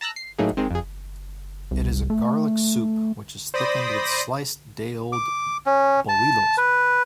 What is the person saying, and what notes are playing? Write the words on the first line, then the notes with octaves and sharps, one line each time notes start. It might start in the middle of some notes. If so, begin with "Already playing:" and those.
It is a garlic soup which is thickened with sliced day-old bolillos.
A5 A#5 E6 F#6
C7
A2 F#3 A3 A#3 D#4 G#4
D#3 G#3 C4
F2 G#4
C2
A3
C5 D5 B5 D#6 A#6
D6
C#4
A5
B4